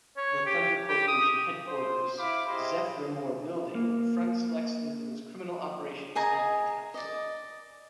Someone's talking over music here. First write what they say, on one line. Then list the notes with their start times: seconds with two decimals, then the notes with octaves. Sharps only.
The Thunder Corporation headquarters "Zephrymore Building" fronts Lex Luthor's criminal operations and penthouse.
0.17 C#5
0.46 G4
0.88 G4
1.08 D#6
1.66 C5
2.17 E4 F5 B5 D6
2.47 E4 G4 G#4 C5 D#5
3.75 A#3
6.15 G#4 D#5 G#5 A#5
6.94 D5 D#5